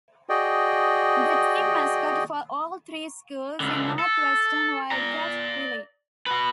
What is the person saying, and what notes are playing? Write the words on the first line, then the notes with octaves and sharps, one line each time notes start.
The team mascot for all three schools is the Northwestern Wildcat, Willie.
F#4 G#4 D5 D#5 G5
C#2 D3
A4
D5 A#5
F#4 B4